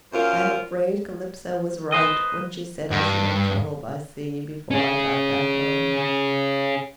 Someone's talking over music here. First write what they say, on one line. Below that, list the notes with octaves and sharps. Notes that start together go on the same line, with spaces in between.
I am afraid Calypso was right when she said I should have trouble by sea before I got back home.
F#2 F4 A#4 C5
B4 C5 D#5
G2
C#4 G#4